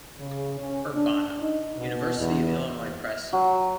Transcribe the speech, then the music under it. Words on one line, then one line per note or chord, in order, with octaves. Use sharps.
Urbana: University of Illinois Press.
C#3
C#4
D4
D#4
B2
E2
F#3